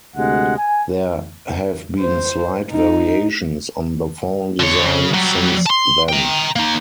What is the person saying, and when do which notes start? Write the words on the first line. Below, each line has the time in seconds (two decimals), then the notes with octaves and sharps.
There have been slight variations on the font design since then.
0.17 D2 C3 G#3 F#5
0.58 G#5
2.00 C5
2.71 D#4
4.59 D3 C#5
4.86 C#3
5.14 F#3 G3
5.66 A5 C6
6.09 G5 A#5
6.56 A#3 D#4